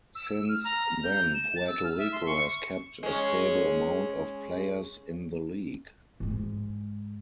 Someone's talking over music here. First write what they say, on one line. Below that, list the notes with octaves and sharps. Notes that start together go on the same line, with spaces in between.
Since then Puerto Rico has kept a stable amount of players in the league.
E6
E6
F6
A#5
G6
E7
A6
E6
F6
E5
C6
C#6
G#3 C#4
G#2 G#3